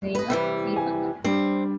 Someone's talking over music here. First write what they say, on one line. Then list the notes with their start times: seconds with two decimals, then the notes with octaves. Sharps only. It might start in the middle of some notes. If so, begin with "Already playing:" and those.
Jaina C. Sanga.
0.15 B4 D#5
0.30 C3 E3 G3
0.76 G#5
1.24 G3 C4 D4